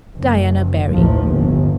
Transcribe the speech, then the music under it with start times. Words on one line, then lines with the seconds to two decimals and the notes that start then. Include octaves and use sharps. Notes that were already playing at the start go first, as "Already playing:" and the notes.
Diana Barry.
0.16 F#1
0.92 A1 D#2 F3
1.26 G1